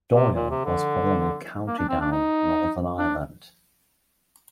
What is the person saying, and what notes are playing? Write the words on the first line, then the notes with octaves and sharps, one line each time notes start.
Doyle was born in County Down, Northern Ireland.
C3
A#2
C3
D3
A#3
D4
C4
D4
D#4
D4